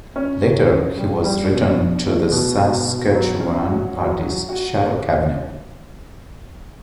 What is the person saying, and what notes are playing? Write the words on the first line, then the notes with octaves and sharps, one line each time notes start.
Later he was returned to the Saskatchewan Party's shadow cabinet.
C#4
C#5
C#4
G3
G3
B2
D4
A3
B2
B2
B2
F#3
C#4
F#4
F#3
F#3
F#4